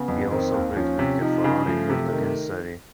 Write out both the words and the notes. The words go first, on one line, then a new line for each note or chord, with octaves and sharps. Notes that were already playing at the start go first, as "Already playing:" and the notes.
He also played cricket, for All England against Surrey.
Already playing: C#3 B3
F2
D#3 C4
D#2
F3 C#4
C3
F3 D#4
C#3
F3 A3
C3
D#3